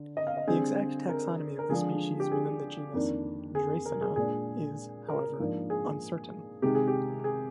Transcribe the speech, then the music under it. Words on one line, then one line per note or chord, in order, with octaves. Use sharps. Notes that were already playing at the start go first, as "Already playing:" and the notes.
The exact taxonomy of the species within the genus "Dreissena" is, however, uncertain.
Already playing: D3
D#5
F5
D#5
D3 G3 C4 G#4
A#4
A#4
D3 F3 G#3 D4 G#4
G4
G#4
F2 D#3 A#3 D4
G#4
A#4
G#4
A#2 G#3 D4 G#4
A#4
G#2 F3 A#3 D4
G#4
C3 D#3 G#3 G4
G#4
G4
G#4